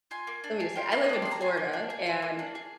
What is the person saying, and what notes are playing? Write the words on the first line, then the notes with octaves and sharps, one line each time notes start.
let me, just, say, I live in Florida, and
F4 G#5
A#3
D4
G#4
F4 G5
A#3
D#6
D4 D6
G#4 C6
A#5
F4 G#5
A#3
D4
G#4
F4
A#3
D4
G#4